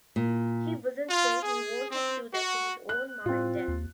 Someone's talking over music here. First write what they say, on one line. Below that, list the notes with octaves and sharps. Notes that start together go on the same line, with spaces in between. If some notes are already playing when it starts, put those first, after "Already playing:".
He wasn't saying he wanted to do that to his own mom and dad.
A#2
F4
G#4
C4
F#4
F#6
A2 C4 F4
D#2